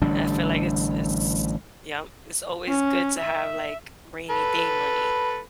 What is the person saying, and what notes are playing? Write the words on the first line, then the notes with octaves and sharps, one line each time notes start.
and I feel like it's it's Yep, it's always good to have, like, rainy-day money.
A1 D3 G3 D4
C#4
E5
A4 B4